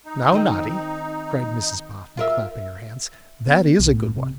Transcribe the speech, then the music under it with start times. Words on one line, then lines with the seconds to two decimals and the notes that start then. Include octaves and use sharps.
Now, Noddy!' cried Mrs Boffin, clapping her hands, 'That IS a good one!'
0.05 D#4
0.32 D#3 C4 D#5
2.17 F4 A#4 E5
3.47 B3
3.80 B1
3.92 A2
4.16 C3